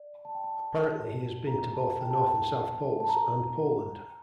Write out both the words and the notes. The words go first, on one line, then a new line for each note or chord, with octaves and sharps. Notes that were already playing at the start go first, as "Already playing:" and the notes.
Apparently he has been to both the North and South poles, and Poland.
Already playing: D5
A5
G5
A5
A#5
A5
G5
A5
G5
A5
A#5